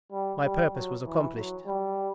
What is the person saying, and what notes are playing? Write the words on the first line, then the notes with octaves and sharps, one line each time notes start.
My purpose was accomplished.
G3
G3
F#3
E3
F#3
G3